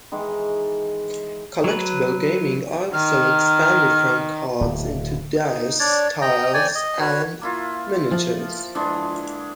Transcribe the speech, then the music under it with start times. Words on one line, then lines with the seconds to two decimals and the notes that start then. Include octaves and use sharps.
Collectible gaming also expanded from cards into dice, tiles, and miniatures.
0.12 D#3 E3 G#3
1.64 F#3 B4
2.93 D#3 F6
4.61 D1
5.44 D#4
5.80 D4 C#5 D5
6.21 D#5 G5 A#5
6.54 C#5 D5 G5 G#5
6.75 D#5
7.00 F#4 B4 C#5
7.41 A#3 E4 F4
8.11 F3
8.75 D3 E3 G#3